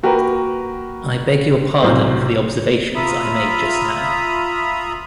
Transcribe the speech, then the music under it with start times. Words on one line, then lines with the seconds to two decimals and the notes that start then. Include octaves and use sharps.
I beg your pardon for the observations I made just now.
0.03 A#3 F#4 G4 A#4 B4
1.82 B1 A2 C3 C5
2.95 F4 E5 A#5 B5 D#6